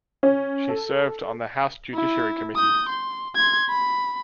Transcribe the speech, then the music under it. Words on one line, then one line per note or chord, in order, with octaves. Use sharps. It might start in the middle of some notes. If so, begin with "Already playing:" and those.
She served on the House Judiciary Committee.
C#4
A4
E4
D#6 G6
C6
C6 G#6
B5